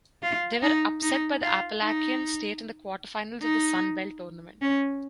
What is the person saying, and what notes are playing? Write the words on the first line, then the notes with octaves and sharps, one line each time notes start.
They were upset by Appalachian State in the quarterfinals of the Sun Belt Tournament.
F4
D#4
D#4
F4
D#4
D#4
C#4